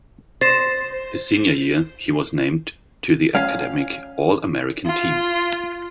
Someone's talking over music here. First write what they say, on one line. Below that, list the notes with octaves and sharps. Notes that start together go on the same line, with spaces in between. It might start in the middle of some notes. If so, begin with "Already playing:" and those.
His senior year, he was named to the Academic All-American team.
C5 A6 A#6 E7
C#4 F5
F4